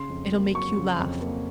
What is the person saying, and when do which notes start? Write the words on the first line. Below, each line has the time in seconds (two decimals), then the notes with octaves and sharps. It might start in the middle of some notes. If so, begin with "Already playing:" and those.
It'll make you laugh.
Already playing: C#3 C6
0.10 F2
0.32 A#3
0.54 F#3 C#6
0.77 C#3
0.99 F2
1.21 A#3